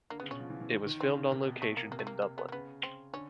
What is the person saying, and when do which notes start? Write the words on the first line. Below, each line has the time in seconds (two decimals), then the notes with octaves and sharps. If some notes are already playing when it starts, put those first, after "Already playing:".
It was filmed on location in Dublin.
0.10 D3 A#3
0.20 C#3 B3
0.31 B2 C#4
0.40 F3
0.50 E3
0.61 E3
0.71 D#3
0.86 D#3
1.00 D3 C4
1.16 C#3
1.31 C3 A#3
1.46 B2
1.62 A3
1.77 A#3
1.92 C3 A#3
1.99 A3
2.07 A#3
2.22 A#3
2.38 B3
2.49 A#3
2.52 C#3 B3
2.83 C4
3.13 D3 C#4